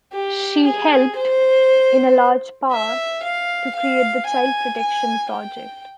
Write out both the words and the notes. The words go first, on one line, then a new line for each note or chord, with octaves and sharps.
She helped, in a large part, to create the Child Protection Project.
G4
G#4
C5
E5
F5
F5
G#5
G#5
G5